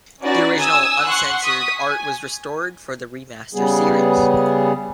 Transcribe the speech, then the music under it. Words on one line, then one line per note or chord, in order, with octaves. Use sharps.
The original uncensored art was restored for the remaster series.
C#4 D#4 F#4 B4 D5
G#5 D#6 E6
F#5 C6 C#6 F#6
C#6 D#6 B6
G#5
C#3 G3 B3 G#4